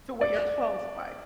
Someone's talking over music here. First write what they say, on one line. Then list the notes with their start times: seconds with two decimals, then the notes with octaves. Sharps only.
to what your clothes like.
0.21 D5